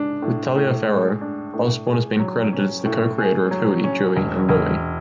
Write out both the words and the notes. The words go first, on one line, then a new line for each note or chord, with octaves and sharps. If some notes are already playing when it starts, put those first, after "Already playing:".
With Taliaferro, Osborne has been credited as the co-creator of Huey, Dewey and Louie.
Already playing: G#3 D4
A2
A2
G#3
D4
A2
G#4
F#3
C#4
A2
G#4
F#3
C#4
E1
E1